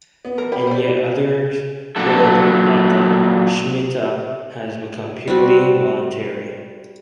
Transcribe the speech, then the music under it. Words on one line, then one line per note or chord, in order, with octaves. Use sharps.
And yet others hold that the Shmita has become purely voluntary.
B3
E3 A#4
B3 G4 B4
C5 D5
A#2 F#3 D4 A4
G3 C4 F#4 B5